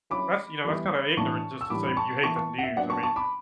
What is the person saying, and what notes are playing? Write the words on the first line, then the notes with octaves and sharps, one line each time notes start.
"Well, that's you know, that's kinda ignorant just to say you hate the news," I mean
F#3 C#4 E4 B5 D6
E3 G3 B3 E4
A2 E3 A3 D4 A5 C#6
E6
A2 E3 G3 D4 B5 D6
B5
A5 C#6
E3 B3 E4 A5 C#6
A5 C#6
F#5
E5
F#3 B3 D4 D5 F#5
A5 C#6
A5 C#6
B5 D6